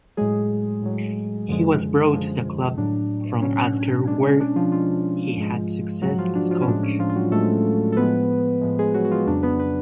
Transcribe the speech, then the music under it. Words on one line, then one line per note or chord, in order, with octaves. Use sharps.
He was brought to the club from Asker where he had success as coach.
A2 F#3 G#3 G#4
A2 F#3
F#2 D3 F3 G#3
F#2 D3 F3 G#3
A2 F#3 D4
A2 F#3 C#4
B2 G#3 D4
C#4
D4
F3 F4
B2 F3 G#3 F4
G#2 G#3
G#2 F#3 G#3 F#4
F3 F4
D4
F3 F4
C#4
A2 F3 G#3 D4
C#4
F3 F4
F4
F#3 F#4
A2 F3 G#3 A3 A4
A4
A2 F3 G#3 B3 B4
A2 F3 G#3
G#3 G#4
F#3 F#4
F#4
F3 F4
F2 C#3 F#3 D4
B3 B4
B3 B4